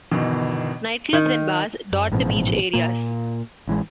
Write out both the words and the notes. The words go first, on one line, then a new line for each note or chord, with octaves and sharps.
Nightclubs and bars dot the beach areas.
G1 B2 D#3 E3
D#3
F#2
A1 G#2 B2 F3
A#2 A#3
A1 E3 G#3